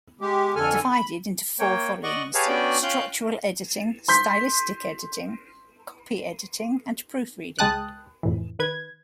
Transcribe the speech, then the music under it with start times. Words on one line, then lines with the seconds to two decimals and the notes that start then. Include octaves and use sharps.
Divided into four volumes: structural editing, stylistic editing, copy editing, and proofreading.
0.21 G#3 G4
0.56 F2 D3 A4 G#5 F6
0.91 B5
1.59 A#3 C#5 G5
2.03 D5 D#5 F#5 C#6
2.35 G4 G#4 B4 C#5 F5 A5
2.48 B3 C#4 D4 F#4 D5 G5
2.83 C#4 F4 F5 G5 F#6 G6
4.08 C6 G6 B6
7.59 C#2 G#3 G5 A5 D#6 F#6
8.23 F2 A2 E3
8.59 D#3 B4 G#6